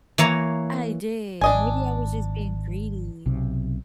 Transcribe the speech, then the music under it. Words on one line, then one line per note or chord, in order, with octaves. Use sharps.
I did. Maybe I was just being greedy.
E3 A#3 C#5 A#5
G#1 D4 D#5 G#5
B1 C3